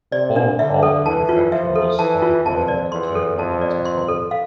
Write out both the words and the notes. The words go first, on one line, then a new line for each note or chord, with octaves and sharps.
All card manufacturers are required to implement it however.
C3 D5
D4
D3 E5
A4
E3 A5
F4
F3 E5
A4
E3 A5
F4
F2 A5
D5
E2 C6
A4
F2 A5
D5
C6
A4
F5